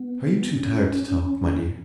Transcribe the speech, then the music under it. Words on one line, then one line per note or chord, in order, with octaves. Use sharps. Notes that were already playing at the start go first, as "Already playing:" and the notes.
"Are you too tired to talk, my dear?"
Already playing: B3
C#4